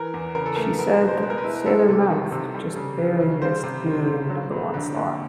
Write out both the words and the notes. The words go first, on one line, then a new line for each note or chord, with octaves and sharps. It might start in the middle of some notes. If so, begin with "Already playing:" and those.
She said 'Sailor Mouth' just barely missed being in the number one slot.
Already playing: E3 A#4
E2
C#3 A#4
A4
A3 A#4
B3 A#4
B2
C5
G#3
A#4
B4
E4
F#3 A4
C3
D#3
C3
G3
C#3
E3
C#3
G3 C5
C3
D#3
C3
F#3
F2
D3
A#3